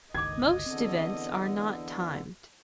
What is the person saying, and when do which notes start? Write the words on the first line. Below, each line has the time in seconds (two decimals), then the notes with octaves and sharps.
Most events are not timed.
0.15 G1 C#2 D#3 D#5 D6 G#6
0.66 E2 D3 C4